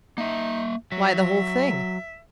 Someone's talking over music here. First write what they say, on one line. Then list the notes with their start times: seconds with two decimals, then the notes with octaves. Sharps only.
Why, the whole thing!
0.18 A#3 D#4 E5
0.92 F#3 E5